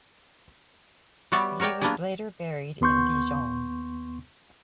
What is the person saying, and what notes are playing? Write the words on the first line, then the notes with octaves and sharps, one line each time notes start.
He was later buried in Dijon.
G3 B3 F#4 C#5 D5 E5
F#4 A#4 C#5 D5 G5
F#3 A#3 B3 D4 G4 G#4
D#2 B3 C6 C#6 G6